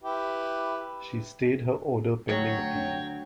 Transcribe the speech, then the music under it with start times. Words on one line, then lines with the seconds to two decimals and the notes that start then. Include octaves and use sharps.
She stayed her order pending appeal.
0.04 E4 G4 B4
2.29 D2 F#3 C#5 G5